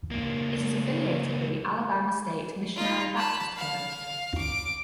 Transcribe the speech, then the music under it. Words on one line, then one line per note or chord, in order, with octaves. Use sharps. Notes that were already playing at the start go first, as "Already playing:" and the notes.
It is affiliated with the Alabama State Missionary Baptist Convention.
C#2 A#3
D#4 F4
A5 B5
F5
D6